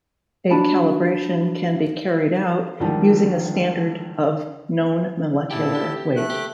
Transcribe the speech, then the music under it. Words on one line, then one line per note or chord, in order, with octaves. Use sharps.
A calibration can be carried out using a standard of known molecular weight.
F#3 D4 A5 B5
C#2 D3 D#3 F3 G3
A#2 C#3 E4 G4 A5
G4
A3 F#6
G4